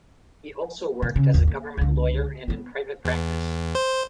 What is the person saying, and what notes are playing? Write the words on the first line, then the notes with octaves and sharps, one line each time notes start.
He also worked as a government lawyer and in private practice.
B2
C#3
G#1 D#2
A#3
C#2 D3
B3 C4
E2
C5